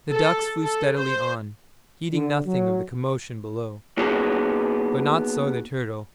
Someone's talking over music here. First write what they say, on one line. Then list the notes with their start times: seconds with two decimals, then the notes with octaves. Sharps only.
The ducks flew steadily on, heeding nothing of the commotion below; but not so the turtle.
0.10 A4
0.62 A4
0.97 C5
2.13 D3
2.46 F#3
3.97 A#3 B3 D#4 F#4 G#4